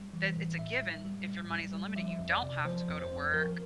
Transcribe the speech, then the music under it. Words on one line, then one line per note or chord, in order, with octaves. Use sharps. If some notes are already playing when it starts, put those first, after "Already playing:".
that it's a given, if your money is unlimited, you don't have to go to work,
Already playing: G3
E3
A2
A2 E5
G3
G3
A2
G3
G3
F3 E5
F2
D5
C3
F3 C5
F2
C5
F2
F3 A#4